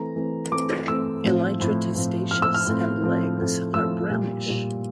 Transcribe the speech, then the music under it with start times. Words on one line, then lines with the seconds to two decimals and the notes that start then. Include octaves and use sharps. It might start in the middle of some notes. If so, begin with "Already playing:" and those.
Elytra testaceous and legs are brownish.
Already playing: E3 A3 C4 A#5
0.16 E3 A3 C4
0.52 E3 A3 C4 D6
0.88 E3 A3 C4 E6
1.24 A2 F3 C4
1.59 A2 F3 C4
1.95 A2 F3 C4
2.31 A2 F3 C4 F6
2.42 E6
2.54 F6
2.66 A2 F3 A3 C4
3.02 A2 F3 A3 C4
3.38 A2 F3 A3 C4
3.74 A2 F3 A3 C4 E6
4.10 A#2 G3 A#3
4.46 A#2 G3 A#3